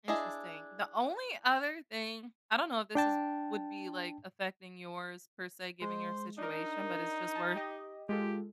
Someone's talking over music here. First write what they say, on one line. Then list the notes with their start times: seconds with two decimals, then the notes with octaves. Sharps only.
Interesting. The only other thing I don't know if this is would be, like, affecting yours, per se, given your situation, but it's just worth
0.08 D4 E4 G#4 D#5 G#5
2.95 D4 G5 A5
5.82 G#3 C5
6.38 D4 D#4 A#4
7.35 A5
7.56 G4 D#5
8.09 G#3 F4 G4 A4